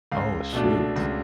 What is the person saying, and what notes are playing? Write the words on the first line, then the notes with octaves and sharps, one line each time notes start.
Oh, shoot
C#2 F5
B2 A3 D4
C#2